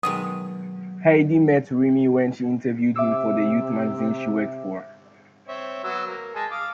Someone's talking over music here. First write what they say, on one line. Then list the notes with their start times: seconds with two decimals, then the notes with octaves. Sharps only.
Heidi met Remee when she interviewed him for the youth magazine she worked for.
0.03 B2 D#3 F#3 G#3 D#6
2.96 C3 E5 D6 E6
5.48 C4 C#5 E5
5.84 F#3 B3 E6
6.06 A#3
6.35 G#3 G#5 A5
6.51 F5 D6 D#6